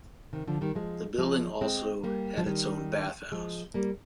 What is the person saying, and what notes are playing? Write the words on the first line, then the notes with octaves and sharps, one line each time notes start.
The building also had its own bathhouse.
C3 D#3
D3 F3
D#3 G3
F3 G#3
F3 G#3
G#3 C4
G3 A#3
F3
D#3 G3
F3 G#3
G3 A#3